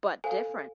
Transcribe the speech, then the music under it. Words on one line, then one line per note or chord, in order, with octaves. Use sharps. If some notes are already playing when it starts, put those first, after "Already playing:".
But different.
A4 C5 F5 G#5